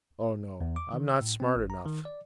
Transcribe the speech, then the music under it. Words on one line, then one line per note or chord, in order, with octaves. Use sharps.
"Oh, no, I 'm not smart enough."
E2
D6
D#3
E6
A2
C4
G#1
A#5
D#3
D5